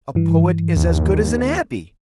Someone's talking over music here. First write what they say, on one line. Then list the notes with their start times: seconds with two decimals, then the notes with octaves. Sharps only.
A poet is as good as an abbe.
0.15 G2 E3
0.76 D#2